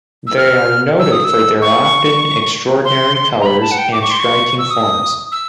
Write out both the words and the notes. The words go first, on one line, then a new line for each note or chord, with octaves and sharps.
They are noted for their often extraordinary colours and striking forms.
E6
F6
E6
D#6
E6
C#6
C6
A#5
B5
A5
F#5
G5
D6
C#6
C6
C#6
E6
D#6
E6